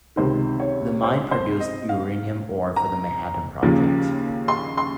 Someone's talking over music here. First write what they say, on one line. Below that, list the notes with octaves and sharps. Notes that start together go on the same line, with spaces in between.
The mine produced uranium ore for the Manhattan Project.
C#2 C3 D#3 C5
C#5
C5
C5
D#5
F5
A#5
D#2 C#3 F3
C6
C6